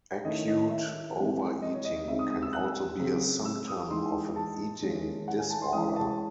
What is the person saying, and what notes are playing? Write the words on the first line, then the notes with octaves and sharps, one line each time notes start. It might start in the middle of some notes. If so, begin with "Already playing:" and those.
Acute overeating can also be a symptom of an eating disorder.
D#3 A3 C#4 E4 D#5
D#5
E5
E3 G#3 C4
D#5
C#5
D#5
D#5
C#3 G#3 C4 D#4 E5
D#6
D#6
E6
F#6
C#3 F#3 C4
E6
D#6
E3 G#3 D#4 C6
A5
D#3 G#3 C#4 E4
F#5
G#5
A5
C6
E3 G#3 C#4 E4 D#6
A5